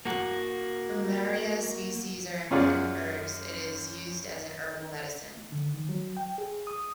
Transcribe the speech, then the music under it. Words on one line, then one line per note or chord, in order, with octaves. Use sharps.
Fumaria species are important herbs, it is used as a herbal medicine.
A#3 F#4
F#2 C#4 F4 G#4 D5 F#5
D3
D#3
F#3
G5
G#4
D#6